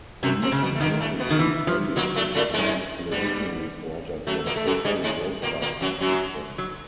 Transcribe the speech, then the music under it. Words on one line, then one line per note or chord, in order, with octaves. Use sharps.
The mission notably carried a Japanese television reporter from Tokyo Broadcasting System.
F#2 C3 F#3
C3 C4
C#3
B2 B3
A3
A#2 D#3 A#3
A2 A3
B2 B3
D#3
E3
F3
A#2 F#3 A#3
A2 A3
A2 A3
G#2 G#3
G2 G3 B3
F#2 F#3 A3
A#2 A#3
A3
F#2 F#3
G2 G3 G#3
G#2 G#3
A#2 A#3
A#2 A#3
F#2 F#3
F#2 F#3
F#3